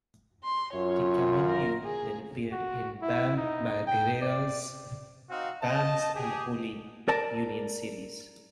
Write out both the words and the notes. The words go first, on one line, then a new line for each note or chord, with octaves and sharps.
DiCamillo then appeared in Bam Margera's "Bam's Unholy Union" series.
C6
F#2 F4 C#5
A#4
G#4
F#4
E4
D#4
G5
D5
C4 D#4 F#4 F5
D#5 A5
G4 G#4
A#4 D5 A5